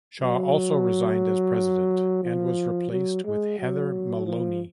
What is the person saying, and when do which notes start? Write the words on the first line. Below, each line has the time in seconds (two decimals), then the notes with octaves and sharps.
Shaw also resigned as president and was replaced with Heather Maloney.
0.21 F#3
2.23 F3
2.91 F#3
3.25 G#3
3.58 F#3
4.26 F3